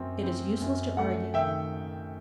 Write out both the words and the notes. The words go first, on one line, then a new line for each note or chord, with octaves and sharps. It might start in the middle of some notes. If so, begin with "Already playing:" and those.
'It is useless to argue.
Already playing: F#2 C4
C4
F#2
A3 F#5
D#3 E5 G5